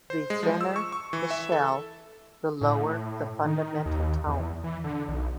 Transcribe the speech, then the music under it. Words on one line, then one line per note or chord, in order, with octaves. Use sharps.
The thinner the shell, the lower the fundamental tone.
C5
G#3
F3
E6
C#6
C#6
E3
E5
A4
A2
D#3
D#2
E2
E3
D3
B1